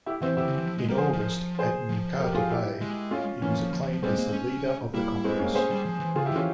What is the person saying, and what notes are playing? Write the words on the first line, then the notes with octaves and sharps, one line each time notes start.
In August, at Nkata Bay, he was acclaimed as the leader of the Congress.
E4 G4
E3 C4 E4
E3 E4 G4
C#3
E3
F3
G#3
G3 A#4
F3 G#4 C5
F3
G#4 C5
F3
G4 A#4
F4 G#4
E4 G4
G#3
C#4 F4
E3 A#3 C#4
F3
F3
E3
F3
G3 G#3 C4
A#3
C#4
G3 A#3 E4
G#3 C4
A#3 C#4
C#4 G#4 C5
G3
F3
E3
C#3 F4 G#4
E4 G4
E3 C#4 F4